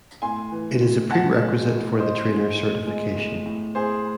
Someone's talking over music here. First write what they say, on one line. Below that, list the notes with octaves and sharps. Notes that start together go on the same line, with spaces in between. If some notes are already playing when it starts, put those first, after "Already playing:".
It is a prerequisite for the trainer certification.
A2 G#5 C6
E3
A2
A2 F#5 A5
G#3
A2
A2 C5 D#5
G#3
A2
G#3
A2
A2
A2 G#4 C5